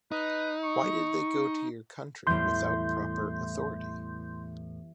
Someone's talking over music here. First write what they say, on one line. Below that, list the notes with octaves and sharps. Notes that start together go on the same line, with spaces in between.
Why did they go to your country without proper authority?
D#4 B4
C#6
E2 A2 E3 G3 C6 G6